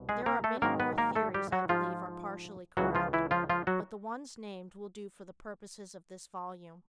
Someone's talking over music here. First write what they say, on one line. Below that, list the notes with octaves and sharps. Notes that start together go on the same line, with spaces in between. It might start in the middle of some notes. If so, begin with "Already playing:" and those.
There are many more theories I believe are partially correct, but the ones named will do for the purposes of this volume.
Already playing: C2 B2
G#3 G#4
A#3 A#4
A3 A4
G#2 D#3 F#3 A#3 A#4
B3 B4
A#3 A#4
A3 A4
G3 G4
F#3 F#4
G#2 F3 F4
C#2 C#3 E3 F#3 F#4
F3 F4
E3 E4
F3 F4
F3 F4
F#3 F#4